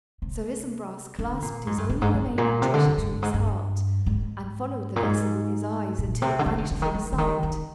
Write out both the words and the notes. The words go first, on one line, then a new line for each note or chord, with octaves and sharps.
Sir Isumbras clasped his only remaining treasure to his heart, and followed the vessel with his eyes until it vanished from sight.
C3
D3
A#2
G#2
G2
G2
G#2
G2
A#2
C3
D3
F2
G2
G2
G#2
G2
G#2
A#2
G#2
A#2
C3
D3
D#3
D3
D3
D#3
F3
D3
D#3
D#3